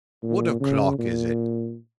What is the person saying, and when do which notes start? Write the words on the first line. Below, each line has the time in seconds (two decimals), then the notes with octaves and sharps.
"What o'clock is it?"
0.23 A#2
0.60 C#3
0.98 A#2